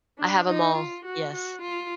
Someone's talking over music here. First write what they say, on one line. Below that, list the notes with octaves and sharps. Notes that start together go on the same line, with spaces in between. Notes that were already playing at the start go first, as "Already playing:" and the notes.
I have 'em all. Yes.
D4
D#4
F4
F#4
F#4
F4